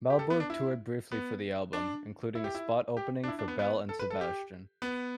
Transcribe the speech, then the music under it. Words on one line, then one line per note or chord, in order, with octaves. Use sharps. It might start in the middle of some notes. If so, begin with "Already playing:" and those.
Melberg toured briefly for the album, including a spot opening for Belle and Sebastian.
G4
A4
B3
D4
E4
B3
D4
E4
G4
E4
G4
D4
E4
D4
B3
B3
A4
B4
A4
G4
B3